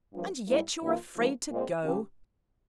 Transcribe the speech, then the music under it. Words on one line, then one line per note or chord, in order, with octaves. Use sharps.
'And yet you're afraid to go!
G2 F3 A#3
G#2 G3 A#3 E4
G2 E3 G3 A#3 F4
G#2 F3 A#3
A#2 G#3 C4
C#3 F3 C4 G4